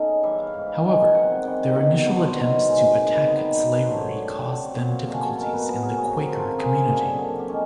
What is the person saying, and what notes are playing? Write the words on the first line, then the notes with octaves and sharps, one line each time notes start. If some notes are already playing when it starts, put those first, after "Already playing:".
However, their initial attempts to attack slavery caused them difficulties in the Quaker community.
Already playing: C#3 D#4 A4 D#5
E3 G3 E5
F5
G#2
D#3 G#3
G5
C3 F#5
D#3 G3 G5
B2 F#5
E5
F#3 B3 D4 C#5
C5
D#3
G#3 C4
D#3
G3 B3 D#4
F#2
C5
D3 F#3 A3
C#5
D3 G4
F#3 A3 C4
A#2 F#4
F#3 A3 C#4 G#4
A4
B2 A#4
B4
F#3 B3 A#4
G#4
C3 F#4
A#4
F3 A3 C4
A#4
F#2 G#4
D3 F#3 A#3
D3
G4
F3 G#3 C#4